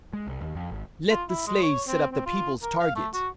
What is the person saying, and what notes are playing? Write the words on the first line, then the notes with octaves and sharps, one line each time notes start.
Let the slaves set up the people's target.
G#3
C2
D#2
F2
G#1
F4
E4
G#3
C#5
C4
C4
F4
A#4
F5
A3
F#4